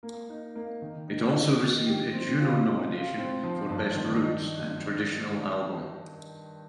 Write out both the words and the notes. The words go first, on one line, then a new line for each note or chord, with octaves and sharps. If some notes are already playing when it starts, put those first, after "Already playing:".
It also received a Juno nomination for Best Roots and Traditional Album.
A#3
D#4
A#3
D#3
D#4
D#4
D#3
G4
C4
F4
C3
F4
C4
F3
G2
D#3
D#4